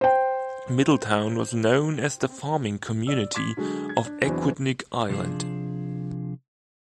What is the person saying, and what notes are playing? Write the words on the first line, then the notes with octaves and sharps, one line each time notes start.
Middletown was known as the "farming community" of Aquidneck Island.
C5 G5
D5 E6
C6 D6 G#6 B6
D3 F#3 G#3
G#6
D4
E2 E3 F#3 C4 D4
C3 F3 D4 G#4